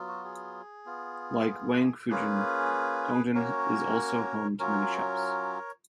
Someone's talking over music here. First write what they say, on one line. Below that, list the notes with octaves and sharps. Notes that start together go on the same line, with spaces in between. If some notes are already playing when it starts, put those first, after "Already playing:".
Like Wangfujing, Dongdan is also home to many shops.
Already playing: F#3 B3 F4
F#4
G#4
B3 F4
A#3 C#4 F4 G#4 B4
A#3 C#4 F#4 A#4 C#5
F#3 C#4 F4 A#4 C#5